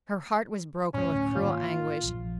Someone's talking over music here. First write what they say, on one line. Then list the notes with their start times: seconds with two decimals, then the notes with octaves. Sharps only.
Her heart was broken with cruel anguish.
0.94 D2 A2 C#4
1.35 G#2 D#3 A#3 F4
2.04 A#1 D#3 F3